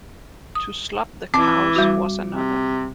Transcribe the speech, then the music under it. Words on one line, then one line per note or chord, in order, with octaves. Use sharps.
To slop the cows was another.
D#6
E3 C4 D6
G3 F#4
C3